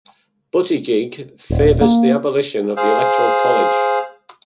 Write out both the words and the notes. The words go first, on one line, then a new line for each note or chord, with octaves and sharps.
Buttigieg favors the abolition of the Electoral College.
D#1
A#3
G#4 C5 F5